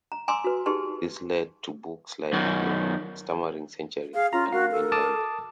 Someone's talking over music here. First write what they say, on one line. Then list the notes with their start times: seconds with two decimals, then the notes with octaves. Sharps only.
This led to books like "The Stammering Century" and "Mainland".
0.12 A#5
0.28 G#5 A#5 C6 D6 E6
0.44 F#4 B4
0.66 D#4 G4 G#4 B4 A5 C6
2.33 F#2 D#3
4.14 G#4 F5
4.33 C#4 F4 A#5
4.52 F#4 A#4 F5
4.72 A4
4.92 A5 D6 D#6